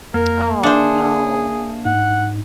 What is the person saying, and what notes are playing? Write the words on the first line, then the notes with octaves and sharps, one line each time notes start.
Oh, no.
F2 A#3 A#4 F6
D4 G#4 C5 E5 A5 C#7
G#2 D#4 F#5